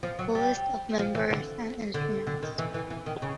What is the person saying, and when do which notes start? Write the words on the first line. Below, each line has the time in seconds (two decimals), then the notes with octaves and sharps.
List of members and instruments.
0.03 F3
0.19 F#3
0.35 G3
0.99 F3
1.15 E3
1.31 D3
1.94 D3
2.27 D3
2.43 D#3
2.58 E3
2.74 E3
2.90 E3
3.06 D#3
3.22 C#3